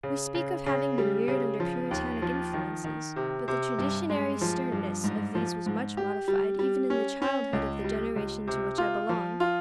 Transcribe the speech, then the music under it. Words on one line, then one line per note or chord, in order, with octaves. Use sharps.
We speak of having been reared under Puritanic influences, but the traditionary sternness of these was much modified, even in the childhood of the generation to which I belong.
C#3
C#3
C#3
G3
C#3
F3
D#2
F3
D#3
D#3
C3
C3
G2
G#3
F3
G2
G#2
F3
G#2
G4
G3
G3
C#4
C#4
C#2
G3
C#2
C3
F4
F3
F4